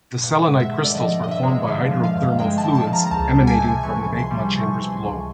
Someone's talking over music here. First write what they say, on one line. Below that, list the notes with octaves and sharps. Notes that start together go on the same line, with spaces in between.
The selenite crystals were formed by hydrothermal fluids emanating from the magma chambers below.
G2 F#5
G#3
E5
D3
D5
F3 D#5
G2 D#5
E5
G#3
D3 F5
F3
F5
G2
G#3 G5
A5
D3
A5
F3
A#5
A#5
C#2 A5
G3
G#5
C3
E3 C#6
C#2
C6
G3
C3 C#6
E3
C6
C#2